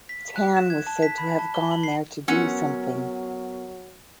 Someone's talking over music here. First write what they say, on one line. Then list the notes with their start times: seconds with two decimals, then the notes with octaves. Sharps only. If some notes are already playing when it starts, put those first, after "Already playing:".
Tan was said to have gone there to do something.
0.09 B6
0.36 F#6
0.57 E7
0.70 G#6
0.87 A5
1.02 B6
1.18 B5
1.39 A5
1.54 G7
1.71 F#7
1.83 C7
2.28 F#3 B3 C#4 A#4 F#5